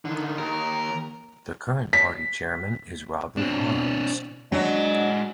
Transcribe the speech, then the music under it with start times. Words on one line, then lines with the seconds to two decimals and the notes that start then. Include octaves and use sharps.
The current party chairman is Robert Harms.
0.05 D3 D#3
0.38 D#2 A#4
1.93 B6
3.37 B2 C4 D4
4.52 F#3 G#3 D4 D#5 F#5